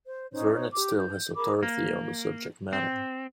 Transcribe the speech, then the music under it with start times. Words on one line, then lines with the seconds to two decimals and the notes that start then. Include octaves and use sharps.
Vernet still has authority on the subject matter.
0.05 C5
0.31 C#4 D#4 C5 C#5
0.52 D#4 C5 C#5
0.73 G4 D6
0.96 G6
1.36 G#4 A#4 B5 D6
1.63 A#3
2.73 C4